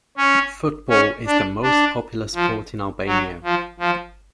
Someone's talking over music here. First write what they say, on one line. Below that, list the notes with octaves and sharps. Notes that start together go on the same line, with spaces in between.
Football is the most popular sport in Albania.
C#4
C#4
D4
D4
F3
F#3
F3
F3